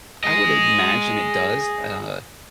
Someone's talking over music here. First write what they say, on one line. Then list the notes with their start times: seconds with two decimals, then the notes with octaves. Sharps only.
I would imagine it does, uh,
0.24 G#4 D#5